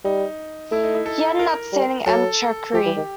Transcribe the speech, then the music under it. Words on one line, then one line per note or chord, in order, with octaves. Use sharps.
He had an outstanding amateur career.
G3 D#4
A3 E4
D#4
E4
A4
A#4
G3
F#3 A4
F3 G4
E3
D#3